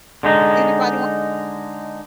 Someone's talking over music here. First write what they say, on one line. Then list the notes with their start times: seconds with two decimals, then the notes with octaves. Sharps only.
Anybody want?"
0.23 D3 G#3 D#4